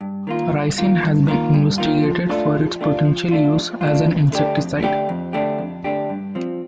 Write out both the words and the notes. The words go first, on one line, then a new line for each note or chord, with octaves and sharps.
Ricin has been investigated for its potential use as an insecticide.
G2
D#3 A#3 F4
G2
D#3 A#3 F4
G2
D#3 A#3 F4
G2
D#3 A#3 F4
F3
A3 D4 F4
F3
A3 D4 F4
F3
A3 D4 F4
F3
A3 D4 F4
F2
D3 A3 D4 G4
F2
D3 A3 D4 G4
F2
D3 A3 D4 G4
F2
D3 A3 D4 G4
G2
F3 C4